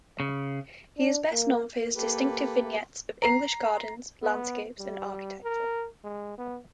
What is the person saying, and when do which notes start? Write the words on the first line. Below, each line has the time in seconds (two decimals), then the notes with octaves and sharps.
He is best known for his distinctive vignettes of English gardens, landscapes, and architecture.
0.20 C#3
0.98 D4
1.32 A#3
1.95 A#3 G4 A4 B4
3.22 A#5 C7
4.22 B3
4.79 G3
5.44 A#4
6.04 G#3
6.38 B3